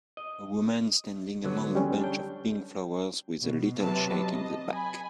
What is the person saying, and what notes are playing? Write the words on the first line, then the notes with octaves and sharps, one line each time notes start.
A woman standing among a bunch of pink flowers, with a little shack in the back.
D#5
D3 F#3 B3
G3 C#4
D4 G5
B2
C3 F#3 B4 A5
D#5
G#5 B5